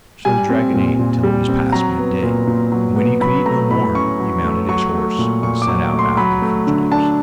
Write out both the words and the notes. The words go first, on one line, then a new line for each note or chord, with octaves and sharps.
So the dragon ate till it was past mid-day, and when he could eat no more he mounted his horse and set out after the fugitives.
G3 G#5
C4
A#2
A#2
G3
C4
F#3 A#5
B3
A#2
A#2
F#3
B3
F#3 B5
A3 A#5
A2 B5
C#4 C#6
F#3
A3
F#3 C#6
A3
A#2
A#2 C#6
D6
F#3
A3
C6
F#3 B5
A3
D3
D4 A5